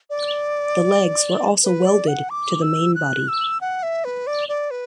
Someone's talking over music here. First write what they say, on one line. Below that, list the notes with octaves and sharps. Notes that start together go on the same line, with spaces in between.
The legs were also welded to the main body.
D5
B4
D5
F#5
D6
E6
F#6
E6
F#5
E5
B4
D5
D5
B4